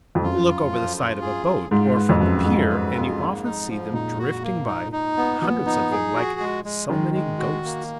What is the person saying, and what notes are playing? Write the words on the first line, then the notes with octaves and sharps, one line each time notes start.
Look over the side of a boat, or from the pier, and you often see them drifting by, hundreds of them, like so many ghosts.
F2
F#2 F4
F4
F3
F4
G#4
F4
G#2 F4
G#2 B4
F2
F#2 B4
G#2 F4
B4
F4
A#3
D#4
F3
A#2 D#4
F#4
A#3
D#4
D#4
B3
F3 B3
D#4
G#4
F#4
G#3
G#3
D#3 G#3
G#3
F#4
A#3